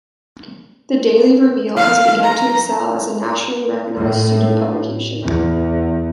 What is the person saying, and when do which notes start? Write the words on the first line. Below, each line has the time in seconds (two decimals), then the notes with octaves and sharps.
The "Daily Reveille" has begun to excel as a nationally recognized student publication.
1.76 F5
2.23 A#5
3.96 A2
5.22 E2